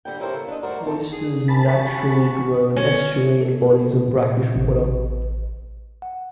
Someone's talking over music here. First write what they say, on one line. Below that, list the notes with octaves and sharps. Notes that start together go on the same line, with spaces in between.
Oysters naturally grow in estuarine bodies of brackish water.
D3 G3 G5
C#4 E4 G4 A4 A#4 C5
C#3
D4 D#5
D2 G3 F#4 A#4 C5 D5
E3 C4 A4
G#4
A#3 G#5 A5 B5
F#4
C#4
A4
A#2
A1
F#5